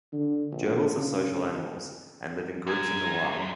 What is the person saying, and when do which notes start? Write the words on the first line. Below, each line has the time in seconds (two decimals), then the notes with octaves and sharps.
Gerbils are social animals, and live in groups in the wild.
0.13 D3
0.52 A#1
0.98 C#3
2.67 F#2 G#5